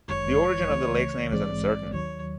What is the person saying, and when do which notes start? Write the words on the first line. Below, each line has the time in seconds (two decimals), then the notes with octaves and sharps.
The origin of the lake's name is uncertain.
0.08 G1 F#2 D#3 G#3 C#5
0.70 C#2 C#3 E3 A3
1.31 A#1 G#2 E3 G#3 C4 D5
1.93 D#2 D#3 F#3 C#5